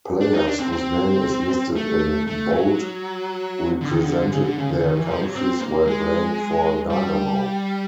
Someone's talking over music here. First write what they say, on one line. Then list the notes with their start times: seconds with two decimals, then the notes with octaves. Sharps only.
Players whose name is listed in bold represented their countries while playing for Dynamo.
0.21 D4
0.34 D#4
0.46 D4
0.59 C4
0.72 C4
1.76 A3
2.27 A3
2.53 F#3
3.81 D3
3.92 D#3
4.04 D3
4.32 C#3
4.45 D3
4.58 C#3
4.71 D3
4.84 D#3
4.97 E3
5.10 F3
5.22 F#3
5.35 C4
5.61 A#3
5.87 G#3
6.90 G3